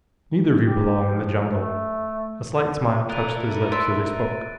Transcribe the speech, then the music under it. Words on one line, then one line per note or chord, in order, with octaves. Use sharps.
"Neither of you belong in the jungle." A slight smile touched his lips as he spoke.
G4
F3
A3
D3
E4 F4 A4 A#4 D5 F#6 A6 D#7
E5 C6 A6 D7